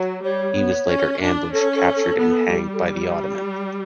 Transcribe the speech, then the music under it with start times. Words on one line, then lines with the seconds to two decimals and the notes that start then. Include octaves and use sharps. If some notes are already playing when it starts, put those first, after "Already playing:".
He was later ambushed, captured and hanged by the Ottoman.
Already playing: F#3
0.23 G3 C#5
0.56 B3
0.87 C#4
1.20 D4
1.53 C#4 A4
1.75 A4
1.96 A4
2.17 B3
2.50 G3
2.73 A4